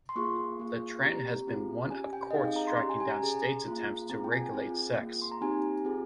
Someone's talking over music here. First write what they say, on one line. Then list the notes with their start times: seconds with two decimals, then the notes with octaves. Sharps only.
The trend has been one of courts striking down states' attempts to regulate sex.
0.09 C6
0.16 A#3 F4 G#4 C#6
0.59 A#3 F4 G#4
1.03 C4 G4 A#5
1.47 C4 F4 G#4
1.90 C#4 G4 G#5
2.13 G5
2.31 D#5
2.34 C4 D#4 G#4 F5
2.45 G5
2.56 A#5
2.68 C6
2.78 C#4 G4 A#5
2.89 G#5
3.00 G#5
3.11 A#5
3.22 C#4 G#4
3.66 A#3 F4 G#4
4.10 C4 F4 G#4 A#5
4.24 G5
4.32 G#5
4.53 C4 F4 G#4 G5
4.98 A#3 F4 G#4
5.22 C6
5.32 A#5
5.41 C4 D#4 G4 G#5
5.85 C4 F4 G#4